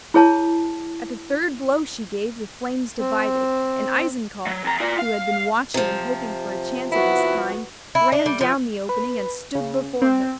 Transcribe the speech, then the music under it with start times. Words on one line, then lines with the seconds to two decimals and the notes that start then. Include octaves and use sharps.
At the third blow she gave the flames divided, and Eisenkopf, who had been watching and hoping for a chance of this kind, ran down the opening and stood before her.
0.14 E4 G#4 C#5 A5
2.99 C4
4.47 F#3
4.64 F2 A#5
4.80 F4 D5
4.99 F5
5.74 C3 F3
6.92 B3 E4 F#4
7.95 E4
8.12 D4
8.26 G3
8.41 F3
8.89 B4
9.55 C#3
10.02 C4